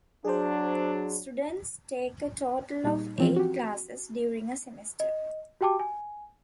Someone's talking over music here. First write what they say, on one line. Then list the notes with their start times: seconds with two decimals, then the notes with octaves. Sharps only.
Students take a total of eight classes during a semester.
0.25 F#3 D4 G#4 C5
2.84 A#2 G3 D#4
3.18 E3 F3 C4 C#4 F4
3.36 F#4 G4
5.00 D#5
5.61 F#4 G4 G5 A5 D6
5.79 G#5